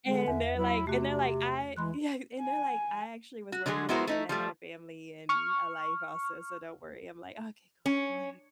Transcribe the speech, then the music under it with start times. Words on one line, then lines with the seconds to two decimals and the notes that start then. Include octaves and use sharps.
and they're like and they're like, "I" yeah, and they're like, "I actually was working, and I had a family, and a life also, so don't worry." I'm like, "Okay, cool." I'm like, "Okay."
0.06 D3 G#3
0.28 E2 E5
0.57 F#3 E4
0.87 C3 A3 F#4 G4
1.76 E3 G#3 B5 C6 F#6
2.40 G#5
3.52 F#4
3.66 D3 F#3 G#3 G#4
3.89 G#3 B3 E4 F#4 A#4 C5
4.07 A3 D#4 E4
4.29 F3 G3 A3
5.29 C#6 F6
7.86 C#4